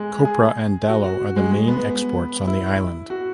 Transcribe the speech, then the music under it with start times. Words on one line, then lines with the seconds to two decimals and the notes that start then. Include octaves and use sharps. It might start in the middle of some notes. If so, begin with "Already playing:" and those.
Copra and Dalo are the main exports on the island.
Already playing: G#3
0.25 G#4
0.89 F#4
1.04 F#4
1.36 G#3
1.51 G#3
1.68 B3
2.47 E4
3.10 F#4